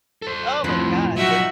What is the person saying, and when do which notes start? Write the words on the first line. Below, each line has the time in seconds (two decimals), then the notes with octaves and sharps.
Oh my gosh, and
0.22 A4 C5
0.64 F2 A2 F3 B4
1.17 F#3 D#4 F#4 E5